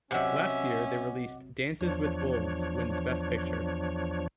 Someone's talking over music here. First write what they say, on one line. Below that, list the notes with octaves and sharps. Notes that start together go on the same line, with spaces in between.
Last year, they released "Dances with Wolves" wins Best Picture.
C3 F#3 C#4 D#5 E5 F#5 D6
E2 F3 D4 C#5